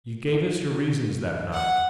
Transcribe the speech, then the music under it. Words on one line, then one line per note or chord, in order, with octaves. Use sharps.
You gave us your reasons that night.
F#5